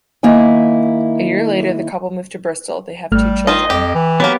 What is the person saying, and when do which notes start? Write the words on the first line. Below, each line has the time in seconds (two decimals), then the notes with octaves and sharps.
A year later, the couple moved to Bristol; they have two children.
0.23 D#3 A#3 E4 E5 G#5
3.12 G#1 G3 A3 F6
3.47 D#3 D#4 F4 D#5
3.70 F2 G4
3.94 E3
4.20 F#3 A#3 B3 G4